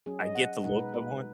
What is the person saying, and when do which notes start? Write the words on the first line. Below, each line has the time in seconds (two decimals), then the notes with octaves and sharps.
I get the look I want.
0.06 F#3 C#4 G#4
0.20 D#5
0.35 F#5
0.64 B2 G#3 D#4 F#5
0.79 B4
0.94 B4